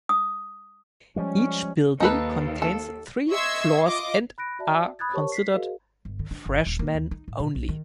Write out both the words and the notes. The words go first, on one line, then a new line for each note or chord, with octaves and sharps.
Each building contains three floors and are considered freshmen-only.
D#6
F3 G3 G#3 C#4
D#2 D#4 A4 B4
A4
D#5 E5 C6 C#6 E6 G#6
F4 D#5 D6
B5 F#6 A#6 D7
F#4 D5 E5 A5
B5 D#6 F#6 G#6 A6
G4 A#4 C5 C#5 A5 C#6
B6 C7
F#4 G#4 A#4 C5 D#5 F5
G1
D3
D4
G1
D#1
A#3
D#2
D#4
A2
B2
B1
D#3